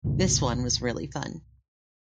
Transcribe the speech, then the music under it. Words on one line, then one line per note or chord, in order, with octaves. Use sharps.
This one was really fun.
G1 C2 A#2 D3